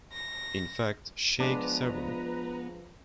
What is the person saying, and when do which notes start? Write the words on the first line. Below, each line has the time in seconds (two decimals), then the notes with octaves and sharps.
In fact, shake several.
0.13 A#6
1.40 F3 G#3 B3 D4 B4 A#5